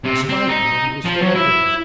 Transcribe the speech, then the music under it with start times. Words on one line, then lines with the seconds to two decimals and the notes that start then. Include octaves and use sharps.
I spied him when he was still over there.
0.05 C3
0.29 C4
0.48 D#4
1.05 F3
1.22 F#3
1.36 E4